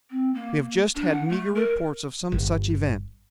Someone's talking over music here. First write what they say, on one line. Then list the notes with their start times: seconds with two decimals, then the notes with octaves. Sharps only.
"We have just had meagre reports of some such event."
0.10 C4
0.34 A#3
0.95 D4
1.12 F#5
1.29 A3
1.55 A#4
2.32 G1